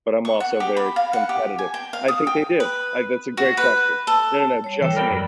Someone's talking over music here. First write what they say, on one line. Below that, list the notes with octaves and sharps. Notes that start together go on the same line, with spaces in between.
but I'm also very competitive. I think they do. I That's a great question. No, no, no. Just me.
C#6
F#5
G4
B5
F5
F#5
G4
G#5
G5
F5
D#6
G5
B4
F#4
B4
A4
G3 C#5
E3 G3 A4 G5
A#4 D5 G5 B5
F#2 F#3 G3